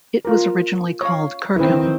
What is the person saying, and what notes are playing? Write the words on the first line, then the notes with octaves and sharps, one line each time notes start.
It was originally called "Kirkham".
F4 A#4
C#5 F5
D#3 C4 E4 B4